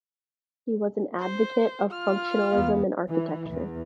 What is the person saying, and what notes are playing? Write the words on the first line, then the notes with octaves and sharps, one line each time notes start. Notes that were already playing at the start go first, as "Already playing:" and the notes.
He was an advocate of functionalism in architecture.
C5
F4 F6
E2 B3 F5
E3
E2